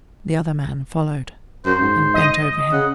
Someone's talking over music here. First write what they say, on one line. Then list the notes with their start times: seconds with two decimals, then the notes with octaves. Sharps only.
The other man followed, and bent over him.
1.65 F#2 C5
1.81 G#2
2.14 D#5
2.72 C#3 F#5